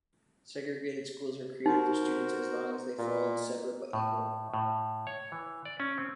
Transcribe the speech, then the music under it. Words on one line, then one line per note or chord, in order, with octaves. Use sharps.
Segregated schools were created for students, as long as they followed "separate but equal".
D#4 F#4 A#4 C5
A#2
A2
A2
C#5
E3
D5
C#4
C4